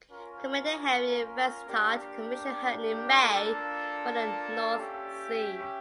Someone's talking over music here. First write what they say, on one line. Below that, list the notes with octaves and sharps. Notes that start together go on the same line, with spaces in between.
Commander Henry Vansittart commissioned her in May for the North Sea.
C#4 F4 A#4
A#3 D4 G4
A#3 D4 F4 A4
C#4 G4 C#5 E5 G5